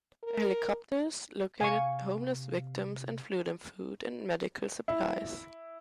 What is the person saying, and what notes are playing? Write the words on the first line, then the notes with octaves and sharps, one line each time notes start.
Her helicopters located homeless victims and flew them food and medical supplies.
A#4
C3 F5 G#5 C#6
E4